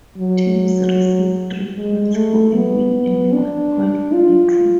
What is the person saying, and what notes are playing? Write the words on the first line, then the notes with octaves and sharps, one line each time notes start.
Teams receive three points for a win and one point for a draw.
F#3
G#3
A3
B3
D4
F4